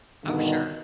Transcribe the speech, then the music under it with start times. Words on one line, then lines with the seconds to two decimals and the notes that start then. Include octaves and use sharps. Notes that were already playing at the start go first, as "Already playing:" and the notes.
Oh, sure.
0.24 G2 B2 D3 D#3